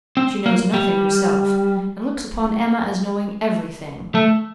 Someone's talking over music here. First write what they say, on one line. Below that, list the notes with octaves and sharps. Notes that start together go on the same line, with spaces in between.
She knows nothing herself, and looks upon Emma as knowing every thing.
C4
A#3
G3
A3